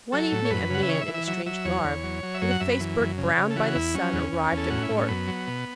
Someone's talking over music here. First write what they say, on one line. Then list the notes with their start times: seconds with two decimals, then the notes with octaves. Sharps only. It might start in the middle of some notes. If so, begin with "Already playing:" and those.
One evening a man in a strange garb, with a face burnt brown by the sun, arrived at court.
0.12 F#3 A4
0.32 A2
0.45 C#5
0.50 F#2 B4
0.70 C#3 F#5
0.83 E5
0.88 E3 C#5
1.01 E5
1.08 E3
1.14 E5
1.27 F#3 E5
1.46 F#3 E5
1.65 E2 C#5
1.84 E2
2.03 F#3
2.23 F#3
2.35 E5
2.42 F#2 C#5
2.51 F#5
2.60 F#2 E5
2.71 B4
2.80 E3
3.00 F#2
3.18 C#3
3.37 C#3
3.50 A4
3.56 E3 F#4
3.75 E2 E4
3.94 F#3 C#4
4.13 E2
4.32 E2
4.52 E2
4.57 A4
4.70 A2 F#4
4.83 E4
4.90 A2
4.97 C#4
5.08 F#2 B3
5.28 F#3
5.47 B2